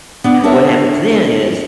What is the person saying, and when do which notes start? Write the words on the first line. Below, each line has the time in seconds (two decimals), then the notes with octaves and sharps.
What happens then is-
0.24 B3 D4
0.44 B3 D4 A#4 C#5 E5